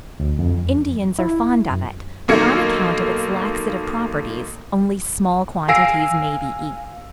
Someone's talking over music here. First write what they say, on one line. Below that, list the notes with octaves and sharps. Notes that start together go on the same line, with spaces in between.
Indians are fond of it, but on account of its laxative properties only small quantities may be eaten.
D2
F2
E4
F#2
B1 D#3 A#3 A4 G#6 C#7
F5 G#5 E6 A#6 C7 D7